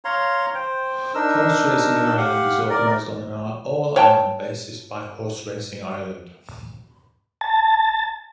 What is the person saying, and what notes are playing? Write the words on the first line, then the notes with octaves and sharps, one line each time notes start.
Horse racing in Ireland is organised on an All-Ireland basis by Horse Racing Ireland.
C#5 F5 A#5 C6
C5 G5
D4 D#4 A#4 E6
G4 F5 F#5
A#4 D5
C#5 G5 A5
A5